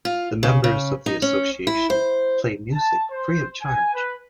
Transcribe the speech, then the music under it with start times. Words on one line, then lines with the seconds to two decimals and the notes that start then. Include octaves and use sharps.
The members of the association play music free of charge.
0.05 F4
0.43 C#3
0.64 C#3
1.06 D#4
1.22 C#4
1.67 E4
1.90 C5
2.73 A5
3.11 C5
3.62 G#5
3.94 B4